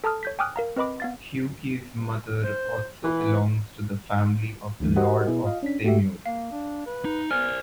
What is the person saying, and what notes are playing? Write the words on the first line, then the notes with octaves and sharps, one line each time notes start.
Hugues’ mother also belongs to the family of the lords of Semur.
A4 A5 A#5 D#6 F6
C#5 G6 B6
G5 G#5 D6 D#6 F6 F#6
A#4 F5 A#5
C4 B4 D#5 B5 D6
B3 F5 A6
C5
E3 B4
D2 D3 E3 A3
F#4 G4 A#4 C5 D#5 F#5
B2 B3 E4 G#4
F4 D#5 F5
C#4 D4 B6
A3 F#4 G4 E5
A#3 F5
D4
B4
D#4
B3 C5 D5 G#5 F6